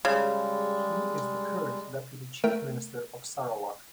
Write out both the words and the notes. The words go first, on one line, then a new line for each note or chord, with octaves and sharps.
He is the current Deputy Chief Minister of Sarawak.
C#3 G3 G#3
A3 A#4 G5